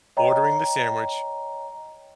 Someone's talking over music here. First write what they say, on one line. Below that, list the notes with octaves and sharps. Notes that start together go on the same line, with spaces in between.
ordering the sandwich,
C#5 D#5 G5 A#5